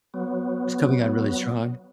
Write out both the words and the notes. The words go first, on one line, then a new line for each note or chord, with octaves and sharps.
It's coming on really strong?
F#3 B3